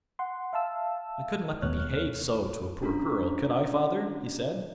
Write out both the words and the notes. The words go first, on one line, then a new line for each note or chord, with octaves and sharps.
"I couldn't let them behave so to a poor girl--could I, father?" he said.
F#5 C6
E5 F5 A5 E6
D#2 B3 C#5 F6 F#6
C#4 D4 F4 A#5 B6